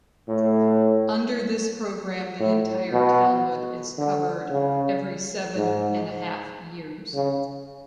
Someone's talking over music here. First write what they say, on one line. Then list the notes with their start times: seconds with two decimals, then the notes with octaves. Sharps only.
Under this program, the entire Talmud is covered every seven and a half years.
0.28 A2
2.39 A2
2.92 B2
3.98 D3
4.50 C#3
5.56 G#2
7.14 C#3